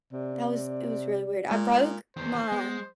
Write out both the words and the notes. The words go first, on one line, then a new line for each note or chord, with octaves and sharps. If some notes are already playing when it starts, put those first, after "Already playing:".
that was it was really weird. I broke my
C3 D5
A#2 G#3
E2 D#3 C5
G#3 B3